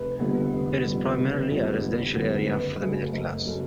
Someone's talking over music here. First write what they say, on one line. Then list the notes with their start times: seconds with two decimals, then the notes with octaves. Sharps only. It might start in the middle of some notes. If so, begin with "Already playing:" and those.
It is primarily a residential area for the middle class.
Already playing: F1 B4
0.19 F2 D3 G3 B3
0.51 F1
0.85 F2 D3 G3 B3
1.17 F1
1.50 F2 D3 G3 B3
1.82 F1
2.14 F2 D3 G3 B3
2.47 F#1 B4
2.80 F#2 C#3 F#3 A3
3.13 F#1
3.45 C#3 F#3 A3